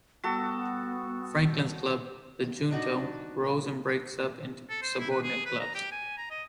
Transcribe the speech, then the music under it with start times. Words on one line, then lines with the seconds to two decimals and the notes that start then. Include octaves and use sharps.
Franklin's club, the Junto, grows and breaks up into subordinate clubs.
0.24 G3 B3 F#4 A4 E6
2.71 D4 D#4 F#4
4.70 A4
4.82 C5
4.99 E4
5.11 B4
5.23 G#4
5.45 B4
5.60 A#5
5.75 G4
5.92 G#5
6.17 A#5
6.30 D#5